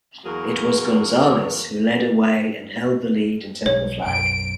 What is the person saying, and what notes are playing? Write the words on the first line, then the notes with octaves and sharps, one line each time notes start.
It was Gonzalez who led away and held the lead until the flag.
E2 F#3 A#3 F#4 G#4 A#4
B1 C#5
B1 F#2 D7